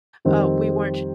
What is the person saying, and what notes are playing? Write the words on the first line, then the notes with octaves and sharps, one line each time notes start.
uh, we weren't
F2 D#3 G3 C4